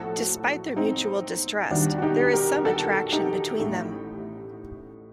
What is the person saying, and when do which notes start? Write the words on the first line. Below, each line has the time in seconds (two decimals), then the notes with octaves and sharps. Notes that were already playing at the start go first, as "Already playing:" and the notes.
Despite their mutual distrust, there is some attraction between them.
Already playing: A#1 A2 F#3 F#4 A4
0.76 C4 D#4
1.71 D#2 D#3 G3 D4 F#4
1.98 F#4
2.02 D#4 G4
2.33 G4 A#4
2.65 F#4 A4
3.12 D#4 G4
3.60 A1 A2 A3